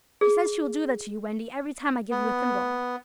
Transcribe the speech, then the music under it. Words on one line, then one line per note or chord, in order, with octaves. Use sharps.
"She says she will do that to you, Wendy, every time I give you a thimble."
G#4
B3